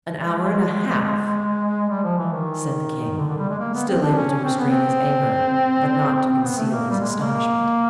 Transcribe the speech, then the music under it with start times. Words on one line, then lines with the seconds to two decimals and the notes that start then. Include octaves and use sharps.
"An hour and a half!" said the king, still able to restrain his anger, but not to conceal his astonishment.
0.20 G#3
1.90 G3
2.04 F3
2.18 E3
2.32 D#3
3.18 D3
3.29 D3
3.38 G3
3.50 G#3
3.60 A#3
3.74 B3
3.88 C4
4.02 D4
4.17 C#4
4.31 C#4
4.44 C4
4.59 B3
4.70 C4
6.15 C4
6.29 C4
6.43 B3
6.57 A3
6.71 A#3
6.91 G3
7.00 G#3
7.21 A#3